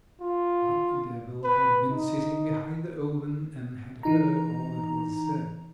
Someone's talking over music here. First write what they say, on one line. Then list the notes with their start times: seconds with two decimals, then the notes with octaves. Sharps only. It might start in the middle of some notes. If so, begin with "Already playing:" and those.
But the Devil had been sitting behind the oven, and had heard all that was said.
0.21 F4
1.44 B4
1.91 D#4
4.03 E3 D#4 A#5